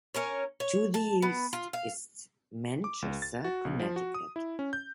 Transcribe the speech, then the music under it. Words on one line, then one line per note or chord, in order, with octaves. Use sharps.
To the east is Manchester, Connecticut.
C#4 A#4 C#5
C#5
A5
B3
F4
F5
D6
C#2
A6
F#4
B1
F3
F#4
D#6
E4
C#4
G6